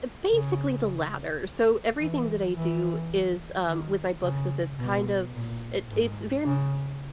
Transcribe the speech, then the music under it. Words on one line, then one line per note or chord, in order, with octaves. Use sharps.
Uh, basically, the latter, so everything that I do is, um with my books is it's kind of it, it's very
C#3
E3
E3
D#3
C#3
B2
A#2
G#2
C#3